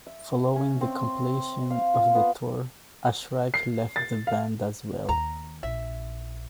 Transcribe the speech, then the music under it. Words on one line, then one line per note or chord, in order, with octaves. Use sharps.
Following the completion of the tour, Ashrak left the band as well.
E5
C#4
C4
F5
F4
B3
C7
A6
F5
D#2 A#5
A#1 E5